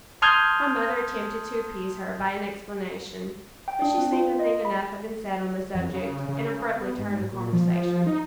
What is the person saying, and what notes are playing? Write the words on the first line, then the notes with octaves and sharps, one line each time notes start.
My mother attempted to appease her by an explanation; but she seemed to think enough had been said on the subject, and abruptly turned the conversation.
A5 C6 D#6 F6 G6 G#6
G5
D4
C4
F4
D#5
B5
F2
C#3
C#3
B3
G#2
A#2
F3
F3
D#4